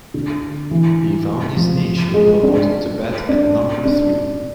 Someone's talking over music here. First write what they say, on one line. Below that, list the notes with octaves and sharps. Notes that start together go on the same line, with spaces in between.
He found his niche when promoted to bat at number three.
D3
E3
F3
G#3
D4
D4
D4